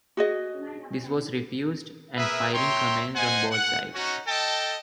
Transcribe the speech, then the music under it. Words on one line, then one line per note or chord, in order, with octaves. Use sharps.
This was refused, and firing commenced on both sides.
F#4 G#4 D#5
G#4 A#4 B4 E5
C#5 E5 G5 A#5 C6
C5 D#5 F#5 G#5
F#5
C#4 D#4 F#4
A4 D#5 G5 A5